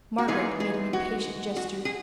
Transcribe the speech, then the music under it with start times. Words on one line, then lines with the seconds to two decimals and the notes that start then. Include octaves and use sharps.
Margaret made an impatient gesture.
0.18 F#4
0.28 E3 G#3 B3 D#4 G#4
0.60 G#4
0.93 F#4
1.56 F#4
1.85 G#4